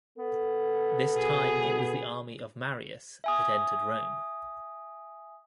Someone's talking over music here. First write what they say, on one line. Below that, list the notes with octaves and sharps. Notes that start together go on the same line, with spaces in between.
This time it was the army of Marius that entered Rome.
B3 A4
B2 G#4
E5 G#5 D#6